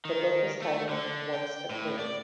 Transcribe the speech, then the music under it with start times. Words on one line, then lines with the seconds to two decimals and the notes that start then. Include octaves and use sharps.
The book was titled Once A Queen...
0.05 D#3
0.62 A3
0.89 D3
1.34 G5
1.70 A2
1.99 D5